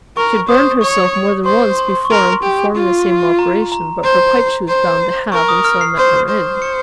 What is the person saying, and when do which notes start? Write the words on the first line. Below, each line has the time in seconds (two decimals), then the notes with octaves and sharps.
She had burned herself more than once before in performing the same operation; but her pipe she was bound to have, and so met her end.
0.17 A#4 C#6
0.49 C5 D#6
0.81 C#5 C#6
1.46 C5 C6
1.79 C6
2.05 C#6
2.10 A#4 C6
2.43 G4
2.75 F4
3.39 A#5
3.72 A#5
4.04 C5
4.69 C5
5.32 A#4 C#6
5.48 D#6
5.65 F6
5.81 C7
5.97 C5
6.29 C5
6.62 C#7